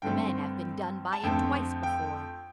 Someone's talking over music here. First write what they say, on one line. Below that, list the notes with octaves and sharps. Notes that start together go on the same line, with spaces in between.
The men have been done by it twice before.
G2 D3 A3 C4 G5
A5
F2 D3 A3 C4 G5
G5